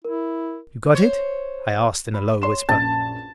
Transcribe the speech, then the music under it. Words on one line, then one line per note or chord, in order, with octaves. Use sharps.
"You got it?" I asked in a low whisper.
E4 A#4
C5 C#5
B5
C#5 C6 E7
A#1 F#2 A5